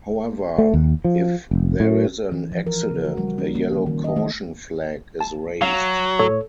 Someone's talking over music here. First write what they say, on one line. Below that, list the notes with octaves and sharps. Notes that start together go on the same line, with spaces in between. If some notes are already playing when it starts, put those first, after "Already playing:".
However, if there is an accident, a yellow caution flag is raised.
A3
D#2
F3
F1
A2
E3
F3
A#4
C#3
F#4
G3
C#4
A#3
D#3
D#3
D#5
A3
A5
F#3 F5
A2 A4 C#5